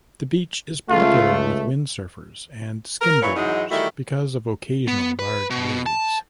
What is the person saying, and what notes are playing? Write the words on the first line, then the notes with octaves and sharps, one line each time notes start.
The beach is popular with windsurfers and skimboarders because of occasional large waves.
C#2 A3 F4
A#4
A#2 E3 B4 C#5
G#2 E3 F#3 G#3 D#4
D#3 E3 G3 A3 D#4 F#4
B3
B4
B2
A5